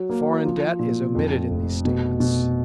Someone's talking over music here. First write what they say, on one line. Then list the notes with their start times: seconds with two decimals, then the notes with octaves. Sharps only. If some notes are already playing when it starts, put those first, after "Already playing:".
The foreign debt is omitted in these statements.
Already playing: F#3
0.09 A#3
0.45 F3
0.79 A#2
1.15 F2
1.50 F1
1.85 B2
2.20 B2